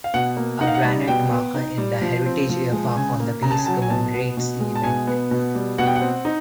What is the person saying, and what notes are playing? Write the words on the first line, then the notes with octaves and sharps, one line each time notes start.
A granite marker in the Heritage Airpark on the base commemorates the event.
F5
B2 F#5
A#3
D#4 F#5
F5
F#5
G3
B2 G5
B3
D#4
G3
F3
C4
F3
G#3
C#3 G#5
A#3
C#3 A#5
A5
G#5
F#3 A5
G#5
B2 A5
B3
B2
G#3
A5
B2 G#5
B3
B2
G3
B2 F#5
G5
F#5
C4
D#4